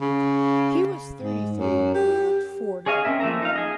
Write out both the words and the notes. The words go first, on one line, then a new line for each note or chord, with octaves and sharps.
He was thirty three; he looked forty.
C#3
G#2
F#2
G4
G#4 C#5 D#5 F5 G#5
C4 C#4 A#4 E5
F3 A3 A#3 E5 A#5
D#4 F5
G#4 D#5